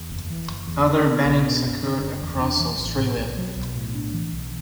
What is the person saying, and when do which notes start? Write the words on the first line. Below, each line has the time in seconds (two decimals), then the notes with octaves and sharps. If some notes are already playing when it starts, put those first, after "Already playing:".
Other bannings occurred across Australia.
Already playing: E2
0.10 F#1
0.30 E3
0.48 F#1
0.67 E2
0.87 D4
1.07 B3
1.25 B1
1.44 B2
1.65 F#1
1.83 D3
2.03 F#1
2.22 E2
2.41 D4
2.60 E3
2.79 A1
2.99 A2
3.17 B1
3.38 F#3
3.56 B1
3.76 A2
3.95 D4
4.14 E3
4.33 B1